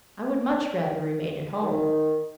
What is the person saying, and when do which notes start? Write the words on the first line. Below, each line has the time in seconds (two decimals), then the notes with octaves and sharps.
I would much rather remain at home.'
1.62 D#3